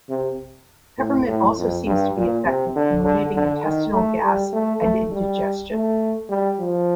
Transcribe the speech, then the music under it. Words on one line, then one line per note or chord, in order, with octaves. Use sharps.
Peppermint also seems to be effective in relieving intestinal gas and indigestion.
C3
A2
A2
F2
G2
A#2
C3
D3
D3
D3
D#3
A3
G3
A3
A3
G3
A3
G3
F3